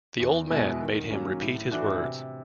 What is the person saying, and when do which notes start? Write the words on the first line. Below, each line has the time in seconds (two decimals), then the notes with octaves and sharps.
The old man made him repeat his words.
0.20 E2
0.50 B2 G#3 B3 E4
0.81 D#3
1.11 F#3 A#3 C#4
1.42 A2
1.71 E3 A3 D4 F#4
2.02 C3